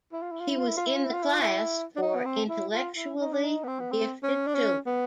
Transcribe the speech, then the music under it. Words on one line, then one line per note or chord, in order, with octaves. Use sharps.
He was in the class for intellectually gifted children.
E4
F4
E4
F4
E4
F4
E4
F4
E4
F4
E4
F4
E4
F4
E4
D4
D#4
B3
C4
E4
F4
E4
D#4
D4
D#4
B3
C4
B3
C4
C#4
D4
C#4
B3